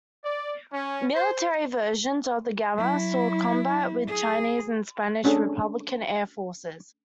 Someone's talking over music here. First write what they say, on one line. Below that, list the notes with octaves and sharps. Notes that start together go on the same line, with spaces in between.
Military versions of the Gamma saw combat with Chinese and Spanish Republican air forces.
D5
C#4
C5
F#3 E4
G#4
A3 C#4 D4 G#4 A4